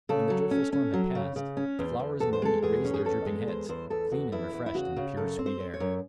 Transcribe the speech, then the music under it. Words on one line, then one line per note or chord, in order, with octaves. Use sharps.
When the dreadful storm had passed, the flowers and the wheat raised their drooping heads, clean and refreshed in the pure, sweet air.
C#3 A4
F#3
C#4
C#4
F#3
C#3
C#3
C#4
E2 C5
E2
E2 A4
C5
G#3 A4
E2 G#4
C#4
G#4
E2 A4
G#3
E2 C5
E2 C5
E2 A4
E2 F#4
E2 E4
E2
E4
C#3 F#4
C#3
F#2 A4
C4
C5
C4
C#5
F#2